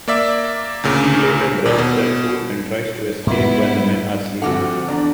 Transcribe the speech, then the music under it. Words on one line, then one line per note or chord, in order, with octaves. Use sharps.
She later drugs their food and tries to escape while the men are sleeping.
A#3 D5 E5
D2 A#2 C#3
D#2 A#2
B2
G#2 G3 B3 E4
D2 F3 C4 F#4 G4 A4 F#5 D6
E2 D4 D5 A#5